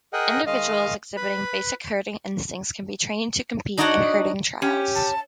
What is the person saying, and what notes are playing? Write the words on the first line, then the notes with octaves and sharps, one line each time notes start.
Individuals exhibiting basic herding instincts can be trained to compete in herding trials.
G#4 A#4 D#5 F#5 G5
D#3 G#3 D#5 F5
B4 B5
D4 D#4 F#4 C#5 F#5 A5
C#4 G4
A5